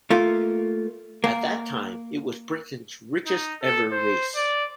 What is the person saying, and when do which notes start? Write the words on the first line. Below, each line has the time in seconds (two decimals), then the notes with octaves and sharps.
At that time, it was Britain's richest ever race.
0.10 A3 A#3 F4
1.24 A#3
3.27 D#4
3.62 A4
3.92 C5
4.35 D5